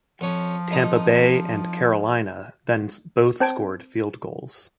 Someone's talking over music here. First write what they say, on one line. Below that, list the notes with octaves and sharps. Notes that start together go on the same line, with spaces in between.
Tampa Bay and Carolina then both scored field goals.
F2 F3 C#4
F2 D#4 D#6
C4 C5 A5 G#6 D7